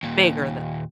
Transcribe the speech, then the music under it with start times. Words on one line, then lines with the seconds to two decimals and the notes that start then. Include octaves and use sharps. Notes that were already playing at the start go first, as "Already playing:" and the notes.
bigger than that.
0.03 D#2 A#2